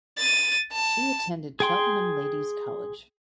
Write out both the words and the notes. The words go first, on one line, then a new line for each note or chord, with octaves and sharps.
She attended Cheltenham Ladies’ College.
A6 D#7
A5
G#4 G5 C6